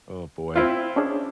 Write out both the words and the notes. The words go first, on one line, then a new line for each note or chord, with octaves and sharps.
Oh, boy.
C4 E4 F4
C#4 D4 G#4